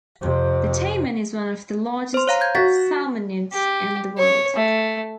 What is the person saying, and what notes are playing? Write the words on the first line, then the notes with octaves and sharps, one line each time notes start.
The taimen is one of the largest salmonids in the world.
F2 C3
C5 C6
C#5 F5 A#5
G6 G#6
F#4 A6 B6
G4
C#5
A3